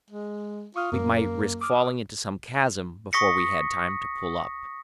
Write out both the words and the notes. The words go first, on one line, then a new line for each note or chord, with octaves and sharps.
We might risk falling into some chasm before we had time to pull up.
G#3
F4 C#6 D#6 F6
F#2 A#3
D6 D#6 F6
C#6 D#6 A#6 B6 C#7